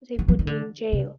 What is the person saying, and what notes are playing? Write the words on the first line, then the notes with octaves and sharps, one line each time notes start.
They put me in jail.
E3
F3
D#3
D3
C3